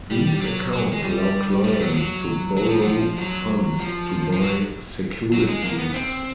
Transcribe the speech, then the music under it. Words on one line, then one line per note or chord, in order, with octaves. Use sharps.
These accounts allow clients to borrow funds to buy securities.
G3
G3
F#3
F#3
G#3
G3
G3
F#3
F3
F#3
F#3
F3
F#3
F3
F#3
F3
F3
F#3
F#3
G#3
A#3
B3
C4